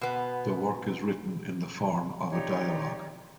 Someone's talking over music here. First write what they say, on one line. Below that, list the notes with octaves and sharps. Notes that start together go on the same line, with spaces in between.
The work is written in the form of a dialogue.
B2 B3
D#4 G4 C#5 D5